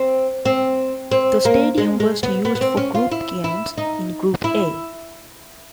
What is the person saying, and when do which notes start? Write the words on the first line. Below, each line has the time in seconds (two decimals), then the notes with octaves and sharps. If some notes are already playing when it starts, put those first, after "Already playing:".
The stadium was used for group games in Group A.
Already playing: C4
0.45 C4
1.11 C4
1.45 A#3
1.78 G#3
2.00 G#3
2.23 B3
2.45 B3
2.55 B3
2.61 C4
2.77 C#4
2.95 F4
3.12 E4
3.44 E4
3.78 D#4
4.44 E4